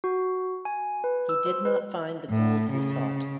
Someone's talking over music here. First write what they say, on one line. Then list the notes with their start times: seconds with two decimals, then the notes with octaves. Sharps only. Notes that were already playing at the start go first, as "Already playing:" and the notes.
He did not find the gold he sought.
0.04 F#4
0.65 G#5
1.04 B4
1.29 E6
1.46 C5
1.65 B4
2.30 A2
2.72 C#3